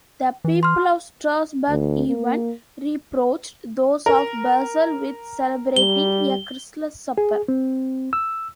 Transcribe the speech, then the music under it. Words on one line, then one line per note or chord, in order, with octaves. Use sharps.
The people of Strasbourg even reproached those of Basel with celebrating a Christless supper.
E3
C6 F6
D2
A#3
A#4
G3 G7
G#4
C4
E6